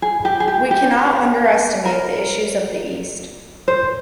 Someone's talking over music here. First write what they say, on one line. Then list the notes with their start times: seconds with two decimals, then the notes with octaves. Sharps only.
We cannot underestimate the issues of the East.
0.02 G#4
0.25 G4
0.40 G#4
0.48 G4
0.71 G4
1.85 A#4
3.68 C5